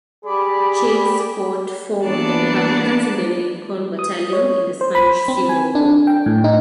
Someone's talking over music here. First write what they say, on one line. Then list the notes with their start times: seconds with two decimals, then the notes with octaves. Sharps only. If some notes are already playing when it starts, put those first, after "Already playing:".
Chase fought for the Republicans in the Lincoln Battalion in the Spanish Civil War.
0.25 G3 G#4 D5 B5
2.03 E3 A#3 B3 D4 D5 A5
3.99 D#6
4.33 C#5
4.81 C5
4.95 B5
5.28 C4
5.49 G#5
5.75 D4
6.07 G5
6.26 A2
6.44 D#4